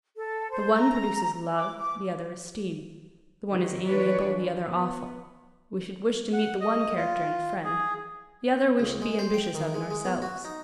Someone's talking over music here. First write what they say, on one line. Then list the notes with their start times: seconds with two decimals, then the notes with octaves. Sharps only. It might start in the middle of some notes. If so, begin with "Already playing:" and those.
The one produces love, the other esteem: the one is amiable, the other awful: we should wish to meet the one character in a friend; the other we should be ambitious of in ourselves.
0.16 A4
0.51 C5
0.74 A#5
1.56 D6
1.77 D6
3.50 D#3 G4
3.85 E3 D4 F4 B4 C#5 D5
4.19 E3
4.69 B3
6.33 F#5
6.60 D#5
6.96 F4
7.65 G#4
8.80 C#2
9.02 G#3
9.19 C5
9.34 G5
9.55 D#3
9.74 G#3
9.91 G#3
10.05 B3
10.22 F#4
10.45 D#4